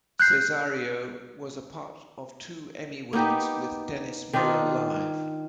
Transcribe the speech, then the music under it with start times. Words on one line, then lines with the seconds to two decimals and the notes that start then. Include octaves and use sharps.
Cesario was a part of two Emmy wins with "Dennis Miller Live".
0.20 F#6 G6 C7
3.13 A#3 B3 D#4 G4
4.33 D#3 D4 D#4 F4